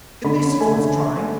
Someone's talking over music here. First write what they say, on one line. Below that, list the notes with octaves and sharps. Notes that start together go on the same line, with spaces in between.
At least it's worth trying.
D3 B5
C#4
A3 G#5
D3